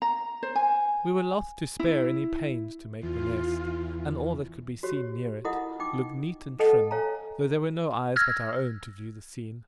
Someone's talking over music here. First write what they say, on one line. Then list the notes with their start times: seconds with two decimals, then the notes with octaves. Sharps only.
We were loth to spare any pains to make The Nest, and all that could be seen near it, look neat and trim, though there were no eyes but our own to view the scene.
0.02 A#5
0.43 C5
0.55 G#5
1.79 E4
3.03 E2 F4
4.83 F#4 G4 C#5
5.45 E4 F4 A#4 D#5 F#5 D#6
5.80 D#4 G5 D6
6.59 A4 D#5 F#5 G5 A5
6.91 C#5 F5 G#5 A#5
8.16 E6 F6 G#6 A#6